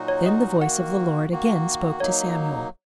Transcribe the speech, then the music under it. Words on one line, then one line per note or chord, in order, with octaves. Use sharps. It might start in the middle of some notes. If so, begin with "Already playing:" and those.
Then the voice of the Lord again spoke to Samuel.
Already playing: A#2 F#3 D#4 F#4
C#5
D#5
D#3 A#3 F#4 F#5
D#3 A#3 F#4
F#3 A#3 D#4 C#5